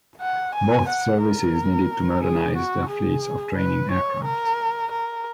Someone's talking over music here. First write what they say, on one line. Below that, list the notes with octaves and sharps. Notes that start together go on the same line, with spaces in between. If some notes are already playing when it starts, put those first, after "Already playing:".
Both services needed to modernize their fleets of training aircraft.
F#5
G#5
F#5
A#4
G#4
F#4
G#4
B4
C#5
A#4
A#4